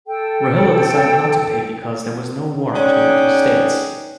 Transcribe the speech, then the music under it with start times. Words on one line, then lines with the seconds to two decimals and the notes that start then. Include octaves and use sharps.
Rohilla decided not to pay because there was no war between the two states.
0.07 A4 G5
2.73 C#4 D#4 G#4 D5 F#5 G5